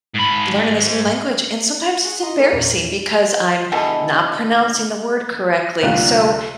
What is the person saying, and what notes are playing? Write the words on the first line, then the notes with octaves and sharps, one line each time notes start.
learning this new language, and sometimes it's embarrassing, because I'm not pronouncing the word correctly, so
G#2 B5
G#4 F#5 C#6
D#5 A#5 C6
A#3 D#4 A4 A#4 C#5
E2 A#2
B2 D3 E3 G#3
F1 D2 G3 A#3 F4 F#6